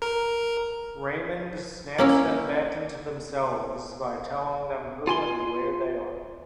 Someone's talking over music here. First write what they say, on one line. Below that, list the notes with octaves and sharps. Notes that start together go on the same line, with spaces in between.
Raymond snaps them back into themselves by telling them who and where they are.
A#4
A#3 C#4 E4
F4 G#5 C6